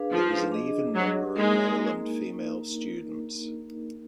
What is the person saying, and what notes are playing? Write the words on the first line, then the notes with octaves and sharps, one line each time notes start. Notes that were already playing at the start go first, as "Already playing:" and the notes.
There was an even number of male and female students.
Already playing: D4 G#4 B4 F5
F3
D4 G#4 D#5
F#3
G#3 A#3 D#4 A#4